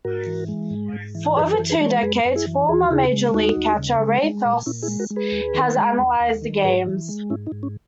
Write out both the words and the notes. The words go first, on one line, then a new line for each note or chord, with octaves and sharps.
For over two decades former major league catcher, Ray Fosse has analyzed the games.
G#2 F#4 A#4
E3
G#3
G#2
G#2
E3
F#2 G#4 B4
G#4 B4
E3
G#4 B4
G#3
A#4 C#5
F#2 G#4 B4
F#2
E4 G#4
E3
D#2 G#4
F#4
C#3 E4 G#4
G#3
D#2 D#4 F#4
D#2
C#3
G#3
G#3
A#2
A#2 C#4 E4
E4 G#4
G#3
F#4 A#4
G#3
G#4 B4
D#2
D#3
G#3
D#2
D#2
D#3
G#2 G#4 B4
E3
G#3
G#2 C#4 E4
D#4
G#2
C#4